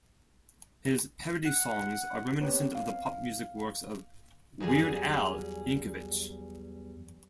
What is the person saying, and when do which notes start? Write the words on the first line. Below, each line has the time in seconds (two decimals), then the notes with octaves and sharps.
His parody songs are reminiscent of the pop music works of "Weird Al" Yankovic.
1.45 F#5
2.41 B3 C4 G4 C#5
2.75 F5
4.60 E2 F#3 G3 G#4 G#5